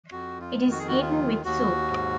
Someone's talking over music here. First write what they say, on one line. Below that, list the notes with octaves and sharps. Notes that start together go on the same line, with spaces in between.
It is eaten with soup.
F2 F#4
F4
D#3
F#4
G#4
F#4
D#2 F4
D#2 F#4
G#2